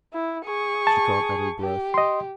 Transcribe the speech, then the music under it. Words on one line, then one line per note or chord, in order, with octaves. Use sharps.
She caught at her breath.
E4
G#4 C#6
A5
G4
D#5 C6